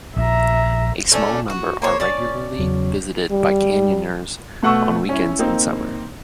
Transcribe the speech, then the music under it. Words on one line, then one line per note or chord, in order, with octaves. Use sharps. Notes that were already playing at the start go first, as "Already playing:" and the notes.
A small number are regularly visited by canyoners on weekends in summer.
A#1 E5 A#5
A3 C#4 D4
F#4
A#3 C5 C#5
C#4 D5 A5
E2 C#3 F#3
G3
B2 A3 F#5 C#6 E6
C#4 E4
A#3 C4 D#4